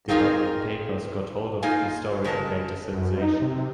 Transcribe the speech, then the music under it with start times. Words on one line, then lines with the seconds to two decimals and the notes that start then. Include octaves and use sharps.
The London papers got hold of the story and made it a sensation.
0.08 C4 D#4 F4 G#4 A#4
1.63 A#3 D#4 F4 G#5
2.24 C#3 G#3 A#4 C#5 A5
2.93 F#2
3.22 D#4
3.42 C3